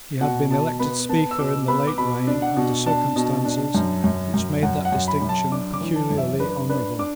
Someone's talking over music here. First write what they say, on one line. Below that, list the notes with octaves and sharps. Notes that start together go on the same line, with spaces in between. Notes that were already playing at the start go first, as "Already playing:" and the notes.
He had been elected speaker in the late reign under circumstances which made that distinction peculiarly honourable.
B2 F#5
B2 A5
B3 B5
B3 A5
E6
B2 D6
B3 B5
D6
B2 B5
D4
F#5
B2
D4 A5
B2
D4
F#2
F#2
F#2
F#2 F#5
F#5
F#2
B5
F#2
A5
D4 D6
D6
E3
A5
F#2
E5
D4 B4
D4 B4
D4 D6